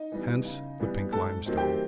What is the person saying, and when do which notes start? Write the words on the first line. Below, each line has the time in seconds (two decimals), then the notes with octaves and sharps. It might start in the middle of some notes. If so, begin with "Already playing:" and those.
Hence the pink limestone.
Already playing: D#4 D#5
0.12 E3 G3 B3
0.45 C#3
0.80 E3 G3 B3
1.12 G#2 A4 A5
1.46 D#3 F#3 A3 C4
1.57 G4 G5